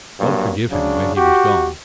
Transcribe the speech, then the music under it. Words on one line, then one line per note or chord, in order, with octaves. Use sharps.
God forgive him, where he was gone!
G2 F#3 A#3
C#3 F#3 D4
F#4 G4